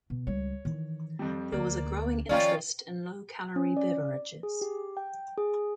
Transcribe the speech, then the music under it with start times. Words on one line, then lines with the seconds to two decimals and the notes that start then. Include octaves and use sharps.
There was a growing interest in low-calorie beverages.
0.10 B2
0.27 C#2 G3 C#5
0.65 D#3 E3
1.19 F2 G3
1.52 D2 A#3 D5
2.29 D#3 F3 C#4 F4 A#4 D5 D#5 G5
3.56 C#4
3.77 D5
4.43 G#4
4.61 G4
4.97 G5
5.38 G#4